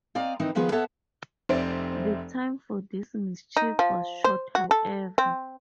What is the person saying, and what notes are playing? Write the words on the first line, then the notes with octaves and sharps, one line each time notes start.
The time for this mischief was short, however.
C4 D5 D#5 F5 A#5
D#3 E3 C4 D#4
D#3 F3 B3 F4 G#4 B4
B3 A4 C#5 E5 F#5 A5
F1 C4 C5 D5 E5 D7
D#4
F3
C5
F#4
A4
C4